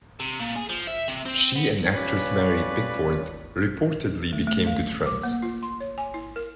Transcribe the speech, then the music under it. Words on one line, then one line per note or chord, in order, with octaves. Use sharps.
She and actress Mary Pickford reportedly became good friends.
C3
A#2
G#4
F3
E5
C3
C4
B3
G3 C#4 F4 B4 C#5 D5
A3
A3
F5
D6
A#3
F4
C6
C#5
G#5
E4
A#4